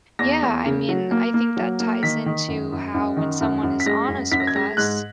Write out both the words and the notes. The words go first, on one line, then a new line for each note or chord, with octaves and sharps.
Yeah, I mean I think that ties into how when someone is honest with us,
E2 A#6
E2
C#3
F#3
A#3
A#3
F#3
A#3
D#3 B6
D#3
F#2
F#2
F#2
D#3
F#2
F#2
B6
G#3 A#6
F#2
F#2 B6
A#6
G#6
G#3 A#6
G#2 F#6